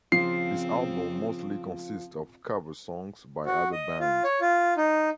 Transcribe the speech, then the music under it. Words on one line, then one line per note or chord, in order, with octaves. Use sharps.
This album mostly consist of cover songs by other bands.
C#3 F3 C4 F4 C7
F#4
D#5
F4
C#5
F4
D#4